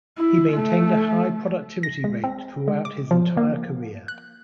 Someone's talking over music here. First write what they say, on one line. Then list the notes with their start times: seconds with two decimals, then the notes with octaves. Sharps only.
He maintained a high productivity rate throughout his entire career.
0.18 E4
0.52 A3
1.83 A#6
2.04 G#3
2.24 C4
2.68 G#3
2.85 D6
3.11 F3
3.37 A#3
4.08 F#6